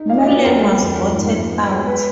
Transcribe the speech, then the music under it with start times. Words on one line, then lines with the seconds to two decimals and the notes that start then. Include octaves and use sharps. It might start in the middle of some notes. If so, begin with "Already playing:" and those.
Mullen was voted out.
Already playing: D#4
0.09 A#2 F5
0.18 D#5
0.27 F#3 D5
0.35 B4
0.45 D2 A#4
0.62 G#3
0.80 F2
0.98 F2
1.16 G#2
1.33 G#2
1.51 B3
1.69 G#3
1.86 B4